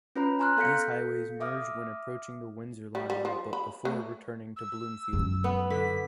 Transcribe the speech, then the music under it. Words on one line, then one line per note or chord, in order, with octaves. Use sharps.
These highways merge when approaching the Windsor line but before returning to Bloomfield.
C#4 F4 B4 C#5 A#5 B5
G#5 A#5 C6 F6 F#6
B3 A4 F5 G6 B6 C#7
E5 D6 D#6 F6
G3
G3
F3
B5
A3
E6
F#2
B3
D3 B6